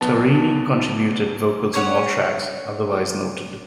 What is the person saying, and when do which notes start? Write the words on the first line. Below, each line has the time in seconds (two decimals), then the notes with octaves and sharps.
Torrini contributed vocals on all tracks, otherwise noted.
0.01 B1 B3 A5
1.74 C#4 C#5 F#5